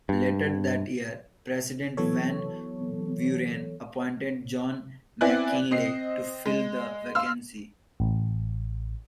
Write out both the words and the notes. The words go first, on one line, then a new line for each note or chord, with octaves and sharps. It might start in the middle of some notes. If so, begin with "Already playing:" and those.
Later that year, President Van Buren appointed John McKinley to fill the vacancy.
G2
E3 F#3 B3 A4 C#5
B3 C4 E4 D5 G#5 F#6
C4 D#5 C7
G#3
F5 C6 E6 F6
A1